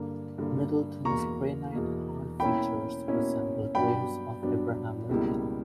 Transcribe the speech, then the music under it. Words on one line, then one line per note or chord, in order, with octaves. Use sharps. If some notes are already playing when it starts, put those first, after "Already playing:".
Middleton's granite-hard features resembled those of Abraham Lincoln.
Already playing: G2 D3 A#3
G2 D3 A#3
E2 B2 A#3 A#5 C#6
E2 B2 A#3
B2 A#3 C#4 E4 G5 B5
B2 A#3 C#4 E4
G2 F#3 B3 D4 G5 B5
G2 F#3 B3 D4
C#2 B2 G3 A#3 E4